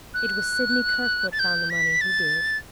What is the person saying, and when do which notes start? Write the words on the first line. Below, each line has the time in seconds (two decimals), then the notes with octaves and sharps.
It was Sidney Kirkwood found the money--he did!
0.14 F#6
1.32 A6
1.39 G6
1.70 B6
2.01 A6